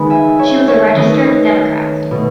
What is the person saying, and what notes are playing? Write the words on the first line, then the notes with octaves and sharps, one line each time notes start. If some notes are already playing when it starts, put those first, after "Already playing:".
She was a registered Democrat.
Already playing: D#3 G#3 B3 B5
E5 G#5
C#5 E5
C#5 E5
D#3 A3 B4 D#5
C#5
B4
B2 A3